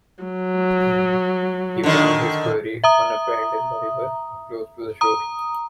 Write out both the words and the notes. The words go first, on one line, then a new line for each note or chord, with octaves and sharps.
He found his quarry on a bend in the river, close to the shore.
F#3
D3 D#3
E5 A#5 D#6
A#5 D#6